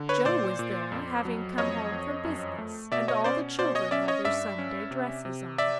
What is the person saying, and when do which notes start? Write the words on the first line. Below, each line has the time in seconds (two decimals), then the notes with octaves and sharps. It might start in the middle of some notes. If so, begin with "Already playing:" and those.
Joe was there, having come home from business, and all the children had their Sunday dresses on.
Already playing: D3
0.09 B4 C#5
0.25 A#2 C5 D5
0.59 A#2
0.92 F2
1.25 F#3
1.58 F2 C#5 D#5
1.92 F2
2.25 F#2
2.58 A3
2.92 B2 D5 E5
3.08 C#5 D#5
3.24 C#4 C5 D5
3.59 B2 C5 D5
3.75 C#5 D#5
3.91 C#4 D5 E5
4.08 C#5 D#5
4.25 G2 D5 E5
4.58 C#4
4.91 C3
5.25 C3
5.58 D5 E5